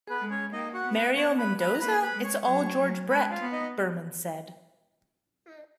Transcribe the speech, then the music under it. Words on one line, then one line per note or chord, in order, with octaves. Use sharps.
"Mario Mendoza?-it's all George Brett," Berman said.
B3 B4
G#3
C#4 C#5
A#3 D#4 D#5
F#4 F#5
B3
B4 B5
B3 C#5 C#6
B4 B5
B4 B5
A#5
A#3 B4 B5
B4 B5
G#3
C#5 C#6
F#3 C#5 C#6
F#3
G#3 B4 B5
F4 F5
B3
D#4 D#5